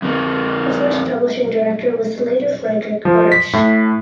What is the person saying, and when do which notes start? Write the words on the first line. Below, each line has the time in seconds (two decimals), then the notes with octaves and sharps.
The first publishing director was the later Friedrich Bartsch.
0.02 F2 A#3
3.05 F3
3.32 B6
3.53 A2